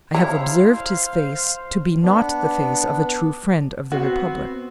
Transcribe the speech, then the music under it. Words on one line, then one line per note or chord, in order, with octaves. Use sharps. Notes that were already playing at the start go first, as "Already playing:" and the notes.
I have observed his face to be not the face of a true friend of the Republic.
E4 C5 C#5 F5 A#5
B3 D4
B3 C4 F#4